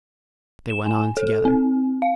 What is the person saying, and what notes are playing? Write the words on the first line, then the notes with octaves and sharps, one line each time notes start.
They went on together.
E7
G#5
A4
C4
F5